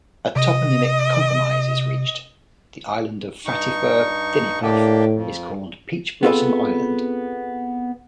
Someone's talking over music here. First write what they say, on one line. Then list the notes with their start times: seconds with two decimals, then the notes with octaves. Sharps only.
A toponymic compromise is reached: the island of "Fattyfer-Thinipuff" is called "Peachblossom Island".
0.36 C3 D#5
3.46 G2 D#4 C#6
4.62 A2 A#3 D4 G4
5.14 F2
6.23 B3 C4 F4 G#4 A4 B4